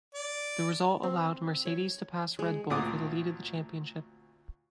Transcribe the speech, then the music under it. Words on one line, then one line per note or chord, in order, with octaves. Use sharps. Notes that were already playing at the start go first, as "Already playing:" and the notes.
The result allowed Mercedes to pass Red Bull for the lead of the Championship.
D5
C4
C#5
G#3
D2 A#2 C4 D6 D#6